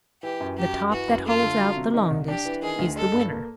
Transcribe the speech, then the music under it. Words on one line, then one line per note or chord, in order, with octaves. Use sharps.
The top that holds out the longest is the winner.
E3 G4
F#2
F#3 G4
F#2
E3 F#4
F#2
A3 F4
D3
F#3
C3
D#3
C2
D4 G4
E3
D#3 G#4
D2
G#3 A4
G2
A#3